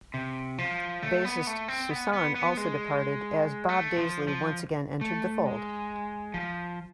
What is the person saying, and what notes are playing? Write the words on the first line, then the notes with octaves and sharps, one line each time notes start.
Bassist Soussan also departed, as Bob Daisley once again entered the fold.
C3
F3
A3
B3
A3
C4
B3
B3
B3
G#3
A3
F3
F3
A3
G#3
F3